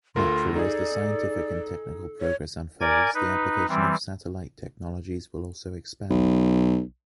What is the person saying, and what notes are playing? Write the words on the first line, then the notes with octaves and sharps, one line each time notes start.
Naturally, as the scientific and technical progress unfolds, the application of satellite technologies will also expand.
D2 F4 A4 A#4 C6
D#4 G#4 D5
C#5
A#4 D5 G#5 G#6
D#4 B4
E3 G3 C4
B1